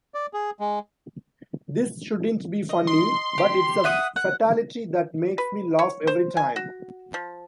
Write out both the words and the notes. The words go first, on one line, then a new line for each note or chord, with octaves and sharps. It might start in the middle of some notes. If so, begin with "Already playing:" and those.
This shouldn't be funny, but it's a fatality that makes me laugh every time.
D5
G#4
G#3
D#5
C6
G4
E5 F#5 D#6
F#5
B4
C#5
C5
G#5
F#4
F3